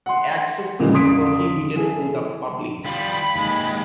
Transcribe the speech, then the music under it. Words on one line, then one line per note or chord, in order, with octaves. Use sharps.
Access is prohibited to the public.
F#5 C6
A#2 C#3 E3 F3 G3 G#3
F1 C#3 C6 D#6 B6 D7
E3 G#4 A4
G3 F4 B5
D#2 G#3